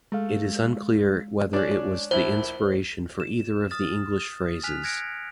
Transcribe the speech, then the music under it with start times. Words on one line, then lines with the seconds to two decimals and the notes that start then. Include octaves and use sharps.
It is unclear whether it was the inspiration for either of the English phrases.
0.12 G#3 A3 F5
1.53 C#4 D4 D5
2.11 A#1 E4 C5
3.20 E7
3.71 D#6 F6 A6
4.64 G#5 F6 F#6 B6 F7
4.84 F#6 G#6 A#6 C#7 D7